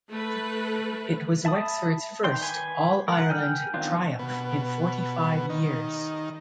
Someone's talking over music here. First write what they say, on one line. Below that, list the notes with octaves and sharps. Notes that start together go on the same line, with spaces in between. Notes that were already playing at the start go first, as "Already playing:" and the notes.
It was Wexford's first All-Ireland triumph in forty-five years.
A3 B4
E5 A5 B5 D#6
D#3 D5 G5 C6
B4 G#5
A#4 F#5
G5 G#5 E6 F6 G6
D#3 B3 C4 D4 F4
B2
D#3